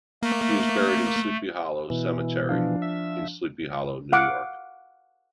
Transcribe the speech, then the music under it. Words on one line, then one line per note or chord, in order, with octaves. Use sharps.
He is buried in Sleepy Hollow Cemetery in Sleepy Hollow, New York.
A3 A#3
B2 E3
F3 D4 F5
E5
F5 F#5 D6